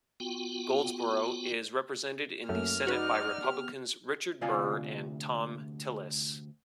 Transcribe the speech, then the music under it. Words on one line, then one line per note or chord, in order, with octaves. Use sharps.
Goldsboro is represented in the Senate by Republicans Richard Burr and Thom Tillis.
B3 F4 F#4 G5
F#2 A3 A#3 C#4 F6
D#4 F#4 B4 D5 F#5
B3 G4
D2 C3 F4 D5 F5 G#5